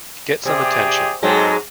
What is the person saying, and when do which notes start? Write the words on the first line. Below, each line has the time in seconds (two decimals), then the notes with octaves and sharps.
Get some attention.
0.45 C3 G4 G#4 D5
1.23 G#2 F#3 G#3 C4 A4